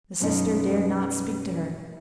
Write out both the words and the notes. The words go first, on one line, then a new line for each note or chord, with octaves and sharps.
The sister dared not speak to her.
F#2 B2 C#4 D#4 F4